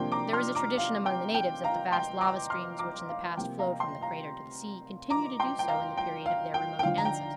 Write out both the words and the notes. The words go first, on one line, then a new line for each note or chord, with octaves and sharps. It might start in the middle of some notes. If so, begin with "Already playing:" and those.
There is a tradition among the natives that the vast lava streams which in the past flowed from the crater to the sea continued to do so in the period of their remote ancestors.
Already playing: C3 F3 A#3 D4 G5 C6
A#5 D6
C6 F6
A#5 D6
F5
G5
G5
F5 A#5
G5 C6
A#5 D6
C6 F6
A#5 D6
F5
C3 F3 A#3 G5
F5 A#5
G5 C6
F5 A#5
A#5 D6
G5 C6
G5
F5 A#5
G5
F5
G5
G5
D3 F3 D4 F5
A#5
G5